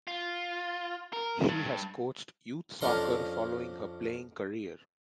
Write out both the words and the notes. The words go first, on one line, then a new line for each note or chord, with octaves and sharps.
She has coached youth soccer following her playing career.
F4
A#4
G2
F2 C#4 D4 F5 A#5 C6